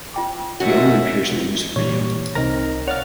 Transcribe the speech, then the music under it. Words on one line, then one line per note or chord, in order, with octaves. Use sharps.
He only appears in the music video.
F4 G5 D6
F#2 F#4 D#5 E5
A#2 E3 G3 C#5
C2 C4 D#4 A#4 A#5
C#5 D5 F5 F#5 F6